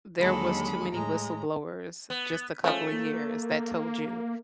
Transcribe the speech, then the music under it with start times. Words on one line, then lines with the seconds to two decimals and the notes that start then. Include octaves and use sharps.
there was too many whistleblowers just a couple of years that told you
0.19 D#2 D3 F#3 G#3 A4 B5
0.90 A2 G#3 A#5
2.10 B3
2.64 F3 G#3 A3 C#4
2.92 A#3